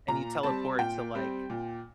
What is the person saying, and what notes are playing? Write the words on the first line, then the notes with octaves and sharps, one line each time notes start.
and you teleport to, like
A#2 A#5
G3 C4 A5
A#2 G5
G3 C4
A#2